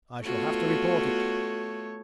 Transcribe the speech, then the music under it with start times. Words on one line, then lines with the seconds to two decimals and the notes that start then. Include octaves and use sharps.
"I shall have to report it."
0.24 A3 B3 F4 F#4 C#5